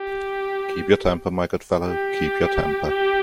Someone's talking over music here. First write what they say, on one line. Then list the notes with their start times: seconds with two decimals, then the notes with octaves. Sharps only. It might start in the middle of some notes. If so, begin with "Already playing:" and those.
Keep your temper, my good fellow, keep your temper!
Already playing: G4
1.88 G4
2.88 G4